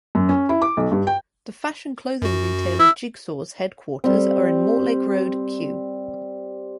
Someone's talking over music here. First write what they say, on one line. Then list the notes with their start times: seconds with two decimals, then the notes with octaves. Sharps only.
The fashion clothing retailer Jigsaw's headquarters are in Mortlake Road, Kew.
0.15 F#2
0.29 C#4
0.49 E4
0.62 D6
0.77 B1
0.91 G2
1.07 G5
2.22 F#2 F#4
2.80 E4 E5
4.04 G3 C4